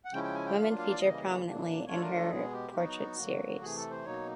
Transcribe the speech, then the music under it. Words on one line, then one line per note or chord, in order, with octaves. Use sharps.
Women feature prominently in her portrait series.
F#5
C#3 F3 G#3 C#4 E4 G5
G5
G#5
G5
F#3 A#3 D4 F4 F5
F5
D5
C#3 E3 G3 A#3 D#5
A#2 F#3 A#3 D4
F#3 A3 D4 F4 C#5
A4
A#4
A4
B2 G#3 B3 G#4
G4
F#3 B3 D#4 F#4
D3 F#3 A#3
C3 E3 A3 G#4
A4
C5
B2 F#3 A#3 D#4 C#5